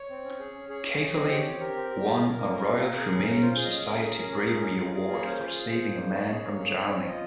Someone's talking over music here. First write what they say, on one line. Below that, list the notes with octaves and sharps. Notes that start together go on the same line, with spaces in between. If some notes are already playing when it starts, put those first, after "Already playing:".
Casserly won a Royal Humane Society bravery award for saving a man from drowning.
Already playing: C#5
C4
C#4
G#4
C#4
G#4 C#5
C#4
G#4
C4 D#5
G4 C5
C#5
C4
G4 A#4
C4
G4
F4
A#3
A#3
C#4 A#4
F4
A#3
G#4
C#4
C#4
F4 C5
G#4
D#5
C#4
C#4 A#4
G#4
C#4
G#4
C#4
G#4
F4
G#4
A#3
C#5
C#4 C5
F4
G#4
G#4
A#3
A#3
D#4 C#5
G#4
A#3
G#4
C4
C4
F4 D#5